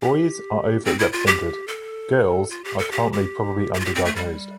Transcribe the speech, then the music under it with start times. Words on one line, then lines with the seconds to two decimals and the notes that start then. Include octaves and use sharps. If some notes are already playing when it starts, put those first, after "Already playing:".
Boys are overrepresented; girls are currently probably underdiagnosed.
0.02 G4
0.85 C4
0.99 E4
1.12 F4
1.27 G4
1.68 A4
2.50 F4
2.64 G4
2.78 A4
2.91 G4
3.13 G4
3.74 G4
3.80 F4
3.85 G4
3.95 C4
4.05 A3
4.16 G3